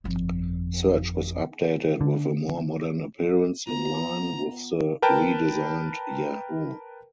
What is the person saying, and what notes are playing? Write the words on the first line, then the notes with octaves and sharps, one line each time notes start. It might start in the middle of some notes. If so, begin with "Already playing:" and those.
Search was updated with a more modern appearance in line with the redesigned Yahoo!
G1 F2
D3
B3 F4 A#5
A#4 B4 G5 A5